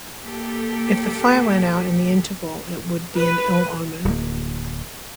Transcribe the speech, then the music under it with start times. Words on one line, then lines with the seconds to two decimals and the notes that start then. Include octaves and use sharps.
If the fire went out in the interval, it would be an ill omen.
0.25 A#3 G4 A4
3.17 B4
4.05 D1 A#3